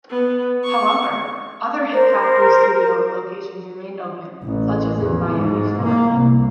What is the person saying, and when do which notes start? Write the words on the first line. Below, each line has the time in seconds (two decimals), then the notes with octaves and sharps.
However, other Hit Factory studio locations remained open, such as in Miami, Florida.
0.10 B3
0.64 C#6
1.92 A#4 C5
4.43 A1
4.98 E2
5.33 G#2
5.82 A#3
6.15 C2